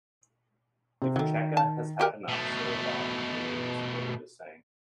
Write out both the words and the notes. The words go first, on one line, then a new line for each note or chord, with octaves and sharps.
"If Checcha has had enough, so have I," Deledda was quoted as saying.
C3 C5
D#3 F#3 A3
A5
F#4 G4 A#4
B2 A3